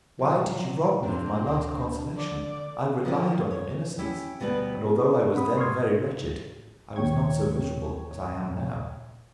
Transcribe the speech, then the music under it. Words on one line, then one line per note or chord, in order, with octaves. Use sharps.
"Why did you rob me of my last consolation? I relied on your innocence, and although I was then very wretched, I was not so miserable as I am now."
A#2 F#3
A#3 C4 D4
D2 D4
D3 D5
D3 D#3 F3
C#5
C#4 E4 G4
D2 B2 G3 A#4 B4
B3 E4 G#4 A#4
C4 F#5 B5 D#6
C6 C#6 D#6 F6 G#6
A2
D#2 A#2 C#5 G5 C#6 G#6